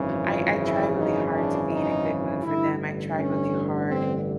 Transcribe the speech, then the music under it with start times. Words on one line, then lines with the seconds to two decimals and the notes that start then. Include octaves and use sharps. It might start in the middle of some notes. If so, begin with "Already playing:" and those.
I I try really hard to be in a good mood for them. I try really hard,
Already playing: G#1 F#2 C#3 E3
0.25 F4
0.61 E4
0.98 D#4
1.34 D4
1.70 D#4
2.43 A1 G2 D3 E4
3.16 C#4
3.88 C4